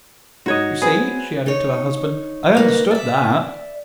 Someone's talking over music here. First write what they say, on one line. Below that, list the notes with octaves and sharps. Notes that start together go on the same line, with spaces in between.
"You see," she added to her husband, "I understood that."
G#2 F#4 C#5 D#5
C4 G#4 B4 G#5
D#4 C#5
D#3 A#3 B4
D5 E5